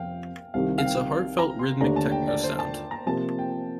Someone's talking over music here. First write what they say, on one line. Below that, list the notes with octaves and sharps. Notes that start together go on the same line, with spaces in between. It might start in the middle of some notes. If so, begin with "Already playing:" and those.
It's a heart-felt rhythmic techno sound.
Already playing: F2 C3 F3 F5 G5
C2 C3 D#3 F5
F5
G5
A#5
C6
D#2 D3 A3 D4 A#5
A5
G5
D5
C5
A5
A#5
C3 F3 A#3 A5
G5